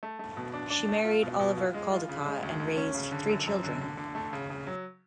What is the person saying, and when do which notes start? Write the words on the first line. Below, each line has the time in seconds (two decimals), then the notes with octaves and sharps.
She married Oliver Caldecott and raised three children.
0.03 A3
0.19 A3
0.37 B2
0.53 D4
0.70 D4
0.89 A3
1.05 F4
1.23 B2
1.39 B2
1.58 F4
1.74 G#3
1.91 F4
2.09 C#3
2.26 G#3
2.43 D2
2.60 D2
2.77 C#4
2.94 C#3
3.11 D3
3.29 F#2
3.46 F#2
3.64 D3
3.81 D3
3.97 D3
4.15 A3
4.33 C#3
4.50 C#3
4.67 F#3